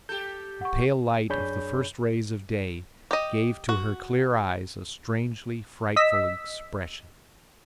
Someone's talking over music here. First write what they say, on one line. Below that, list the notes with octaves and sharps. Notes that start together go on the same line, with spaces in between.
The pale light of the first rays of day gave to her clear eyes a strangely frightful expression.
G4 A4 G6
F#5 C#6
F#2 D4 G#4 C#5 B5 G6
G4 D#5
F#4
D#5 E6 B6